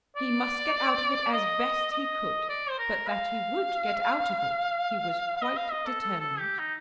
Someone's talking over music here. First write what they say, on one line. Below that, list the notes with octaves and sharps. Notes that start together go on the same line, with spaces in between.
He must get out of it as best he could;--but that he would get out of it he was quite determined.
D5
D#5
D#5
D5
C5
A#4
F5
F5
D#5
F5
D#5
A4
A4
A4
G4
D#4